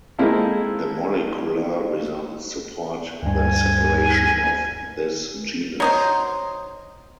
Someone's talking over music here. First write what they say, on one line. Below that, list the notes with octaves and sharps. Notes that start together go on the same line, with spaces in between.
The molecular results support the separation of this genus.
G#3 A#3 C4 E4 F4 A4
D2 G2 G#5
F#3 D#4 C5